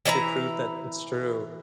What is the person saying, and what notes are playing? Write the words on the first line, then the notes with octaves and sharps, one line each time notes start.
to prove that it's true."
E3 E4 D5 A#5